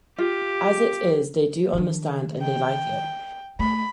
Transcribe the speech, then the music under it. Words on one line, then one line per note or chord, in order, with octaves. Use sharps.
As it is, they do understand, and they like it.
F4 G4
D#3 D4
G5
A3 B5